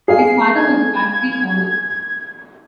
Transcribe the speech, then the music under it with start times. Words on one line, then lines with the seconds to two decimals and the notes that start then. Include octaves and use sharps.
His father was a factory owner.
0.08 G#4 F5 G#5 C7
0.55 G#6